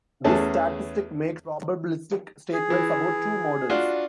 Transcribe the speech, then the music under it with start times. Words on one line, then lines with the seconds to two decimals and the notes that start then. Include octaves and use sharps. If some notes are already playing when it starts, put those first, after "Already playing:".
This statistic makes probabilistic statements about two models.
0.24 E2 A3 C#4 G#4 A5
2.53 G#4
2.70 E3
3.70 D4 F4 F#4